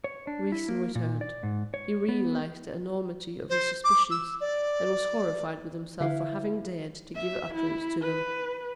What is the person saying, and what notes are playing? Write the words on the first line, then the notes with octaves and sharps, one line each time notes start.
Reason returned; he realized the enormity of his suspicions, and was horrified with himself for having dared to give utterance to them.
C#5
D4
E4
A#3
A#2
D5
G#2
C#5
B3
C5
D6
E6
D5
D3 E4 B4 F5
E5
E4
B4